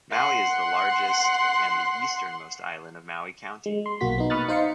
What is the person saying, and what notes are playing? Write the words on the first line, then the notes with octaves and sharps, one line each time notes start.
Maui is the largest and the easternmost island of Maui County.
F#5 C6
G#3
C6
B1 A#3 F#4 B6
B3 D#4
B5 C#6 D#6 F6 F#6 A6
D#4 C5 F5 C6 C#7